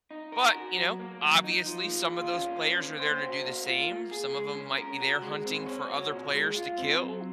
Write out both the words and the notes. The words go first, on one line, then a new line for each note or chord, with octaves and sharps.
but, you know, obviously, some of those players are there to do the same. Some of 'em might be there hunting for other players to kill.
D#4
A#4
F#4
F#3
A#3
F#3
D#4
F3
A#3
F4
C#4
A#3
C#4
C5
F#4
A#3
F4
A#3
G#4
G#3
C#4
A#4
F#4
G#3
C4
C#5
F#4
A#2
G#3
F4
C4
F#3